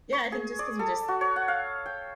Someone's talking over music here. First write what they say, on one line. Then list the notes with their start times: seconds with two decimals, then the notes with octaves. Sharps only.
yeah, I think just 'cause we just-
0.13 C#6
0.32 G#4
0.59 D5
0.79 A4
1.08 F#4
1.21 C#5
1.36 F#5
1.48 F5
1.86 G5